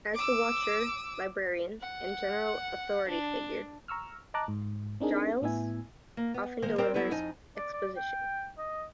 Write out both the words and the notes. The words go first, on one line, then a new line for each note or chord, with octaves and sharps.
As the Watcher, librarian, and general authority figure, Giles often delivers exposition.
D6 E6
F#5
D4
A#5 C#6 E6 F6
D#5 A5 A#5 D6 F#6
G#2
C4 D4 D#4 G#4 A#4
A2 B3 E4 E5 G#5
A#3
B3
D#3 G#3 A#3 C5
G3 C4 A#4 C5 C#5 G5
F#3 B3 E4 A4 B4
F2 D#4 G#5
D5
D5
G5
D#5